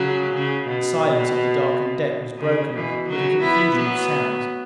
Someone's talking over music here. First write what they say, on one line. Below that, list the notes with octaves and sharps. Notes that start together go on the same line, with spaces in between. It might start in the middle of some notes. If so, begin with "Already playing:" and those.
The silence of the darkened deck was broken with a confusion of sounds.
Already playing: C#3 F#3
C#3
B2
C#3
B2 E3
C#3 F#3
B3 E4
F#3 B3